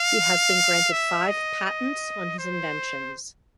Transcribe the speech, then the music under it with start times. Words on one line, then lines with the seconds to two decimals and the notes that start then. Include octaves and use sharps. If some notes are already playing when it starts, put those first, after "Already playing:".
He has been granted five patents on his inventions.
Already playing: F5
0.92 E5
1.29 D#5
1.66 D#5
2.39 C5